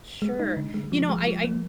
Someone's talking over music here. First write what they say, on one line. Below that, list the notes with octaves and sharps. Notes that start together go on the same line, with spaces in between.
Sure, you know, I
G#3
D#4
D3
G#3
F3
G#3
F3
A#3